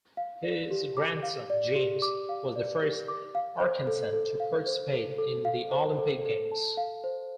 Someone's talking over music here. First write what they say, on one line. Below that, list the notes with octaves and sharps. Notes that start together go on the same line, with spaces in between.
His grandson, James, was the first Arkansan to participate in the Olympic Games.
F5
D5
G4
D6
F5
D5
G4
D6
F5
D5
G4
D6
F5
C5
A4
A4
F5
C5
A4
A4
F5
C5
A4
A4
A5
F5
C5